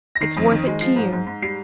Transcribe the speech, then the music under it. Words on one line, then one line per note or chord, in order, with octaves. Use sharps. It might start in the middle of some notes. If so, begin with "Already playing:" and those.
It's worth it to you.
A#6
D#3 C7
F2
D#3
G#3
F3 C7
G#2
G#2
G#2
G3 C7